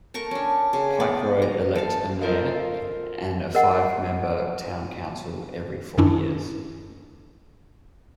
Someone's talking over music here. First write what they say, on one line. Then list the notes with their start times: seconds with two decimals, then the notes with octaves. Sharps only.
Pike Road elects a mayor and a five-member town council every four years.
0.14 A3 A#4 C#6
0.31 C#4 D4
0.73 C#3
1.00 B3 D5
1.42 A#5
1.76 A4 F5
2.21 F4 A4 A#4 C5 D#5 F5
3.55 A#4 D#5 F#5
5.98 F#2 D#3 C#4 D4 E4